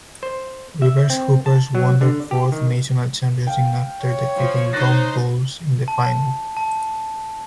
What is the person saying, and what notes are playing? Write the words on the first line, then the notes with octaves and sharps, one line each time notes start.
Rivers Hoopers won their fourth national championship after defeating Gombe Bulls in the final.
C5
E5
C4
A5
F#3
D3
G4
D#3
F5 G5
C#5
F3
D#4 C5 F#6 A6 A#6
A5
A5